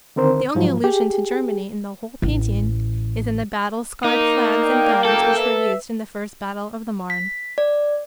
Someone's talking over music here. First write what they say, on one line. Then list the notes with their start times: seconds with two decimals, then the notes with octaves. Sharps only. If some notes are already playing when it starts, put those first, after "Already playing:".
The only allusion to Germany in the whole painting is in the battle-scarred flags and guns which were used in the first battle of the Marne.
0.16 D3 D#3 C4 A#4 C5
0.55 G#2 F3 F#3
0.84 G4 G#4
2.22 A1
4.04 A#3 D#4
4.64 D5 G5
5.05 F#1 A4 G5
5.37 B4 E5
7.10 B6
7.58 D5